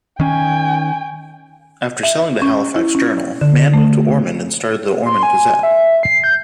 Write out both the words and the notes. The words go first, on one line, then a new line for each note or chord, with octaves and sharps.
After selling the "Halifax Journal", Mann moved to Ormond and started the "Ormond Gazette".
D#3 C#4 G5 G#5
E5
C#4
E4
C#4
D3
A3
C6
G#5
E5
C7
G6